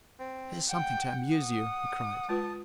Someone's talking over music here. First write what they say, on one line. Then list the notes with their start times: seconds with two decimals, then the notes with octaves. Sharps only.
"Here's something to amuse you!" he cried.
0.20 C4
0.69 F#5 G5
1.37 D#6
2.29 G#3 F4 B4 A5